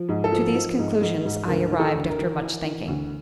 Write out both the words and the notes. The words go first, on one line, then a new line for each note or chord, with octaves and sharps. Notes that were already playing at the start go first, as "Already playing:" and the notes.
To these conclusions I arrived after much thinking.
Already playing: F3
G#2
A4
F3
F3
G#2
G#2
G#2
D2 A#4
E3
A4
D2
A#4
E3
E3
E3
D2